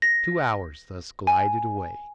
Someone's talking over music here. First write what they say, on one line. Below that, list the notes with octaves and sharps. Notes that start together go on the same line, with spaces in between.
Two hours thus glided away.
A#6
G#5